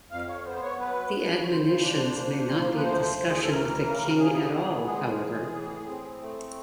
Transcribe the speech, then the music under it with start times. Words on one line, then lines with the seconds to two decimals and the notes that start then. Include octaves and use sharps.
The admonitions may not be a discussion with a king at all however.
0.11 F2 F5
0.28 C#5
0.45 B3 C5
0.62 C#5
0.79 F#3 B4
1.13 C#3
1.43 C#5
1.47 C#3 C5
1.82 D4
2.15 A#3
2.49 F3
2.76 B4
2.83 D2 C5
3.17 D2
3.30 G#4
3.41 A4
3.51 E3 A#4
3.85 C#3
4.19 C3 G#4
4.52 B3
4.86 G#3 G#4
5.21 E3
5.54 A2
5.88 C4
6.22 A3